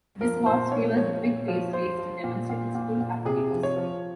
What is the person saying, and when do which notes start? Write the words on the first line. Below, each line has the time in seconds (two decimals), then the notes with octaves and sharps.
This horse favors a quick pace race to demonstrate its full abilities.
0.21 F3 A#4
0.46 A#2 C5
0.72 A#2 C#5
0.97 F3 C#5
1.23 A#2
1.48 F3
1.73 F3 C5
1.99 F3
2.24 A#2
2.49 A#2
2.75 A#2
3.00 A#2
3.25 C3 G#4
3.51 F3
3.63 C#5
3.76 F3